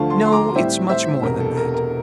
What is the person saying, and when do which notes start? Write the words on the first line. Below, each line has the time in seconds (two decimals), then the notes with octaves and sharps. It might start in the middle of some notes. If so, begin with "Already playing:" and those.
No, it's much more than that.
Already playing: D2 D3 F3 A3 F5 A5
0.10 A5 C6
0.26 C6
0.32 A#5 D6
0.55 A2 G3 C4 E4 C5 E5
0.89 C5 E5
1.23 E1 E2 C3 A#4
1.40 A4
1.57 A#4
1.74 A#4